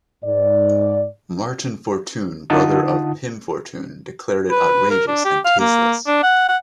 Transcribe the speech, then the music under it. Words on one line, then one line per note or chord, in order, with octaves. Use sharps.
Marten Fortuyn, brother of Pim Fortuyn, declared it outrageous and tasteless.
G#2 D5
D3 D#4 F4 F#5 A5 D#6
B4
A#4
D4
G4
F5
A#3
D4
F#5
F#5